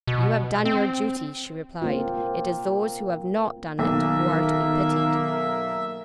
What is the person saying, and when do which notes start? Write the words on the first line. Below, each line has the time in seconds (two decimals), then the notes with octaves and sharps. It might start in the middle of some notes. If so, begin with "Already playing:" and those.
"You have done your duty," she replied; "it is those who have not done it, who are to be pitied!"
0.07 B2
0.65 C4
1.82 A#3 C4 F4
3.79 B1 D#3 A#3 E5